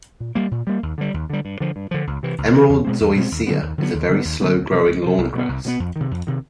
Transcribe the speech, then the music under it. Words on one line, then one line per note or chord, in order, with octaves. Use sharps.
Emerald Zoysia is a very slow growing lawn grass.
A#2
G3 A#3
A#2
G3 A#3
D#2
D3 G3
D#2
D3 G3
G2
D3 F3
G2
D3 F3
C#2
C3 E3
C#2
C3 E3
E2
B2 G#3 C4
E2
B2 G#3 C4
D#2
D3 F#3 B3
D#2
D3 F#3 B3
D#2
D3 G3 B3
D#2
D3 G3 B3
D2
C3 F3
D2
C3 F3
C2
B2 G3 B3
C2
B2 G3 B3
F2
C3 D#3
F2
C3 D#3